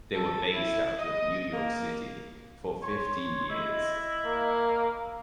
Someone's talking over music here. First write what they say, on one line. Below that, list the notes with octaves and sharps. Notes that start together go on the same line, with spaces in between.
They were based out of New York City for fifteen years.
A4
E4
D#5
A#3
C#5 C6
E4 D#5
A#3